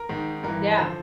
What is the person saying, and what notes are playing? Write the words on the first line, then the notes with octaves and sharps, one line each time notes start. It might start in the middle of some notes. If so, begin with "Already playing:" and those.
Mhm, yeah.
Already playing: A#4
G#2 D#3
G2 E3 A#4
D3 F3 C5